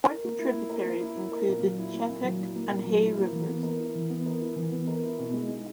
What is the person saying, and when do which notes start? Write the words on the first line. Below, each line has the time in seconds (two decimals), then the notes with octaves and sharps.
Important tributaries include the Chetek and Hay Rivers.
0.09 A#4
0.24 A#3
0.39 E4
0.54 A#3
0.70 A#4
0.85 A#3
1.00 E4
1.16 A#3
1.32 A#4
1.48 A#2
1.62 F#3
1.79 E4
1.94 A#3
2.09 A#2
2.24 F#3
2.41 E4
2.56 A#3
2.70 A#2
2.87 F#3
3.02 E4
3.18 A#3
3.33 E3
3.48 B3
3.63 A#4
3.80 E4
3.95 E3
4.10 B3
4.26 A#4
4.42 E4
4.56 E3
4.72 B3
4.88 A#4
5.03 E4
5.19 B2
5.34 G#3
5.49 D#4